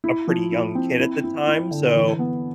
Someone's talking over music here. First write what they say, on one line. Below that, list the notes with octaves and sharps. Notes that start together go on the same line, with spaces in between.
a pretty young kid at the time, so
E4
F3
E4
C4
E4
E4
E4
D3
E3
B3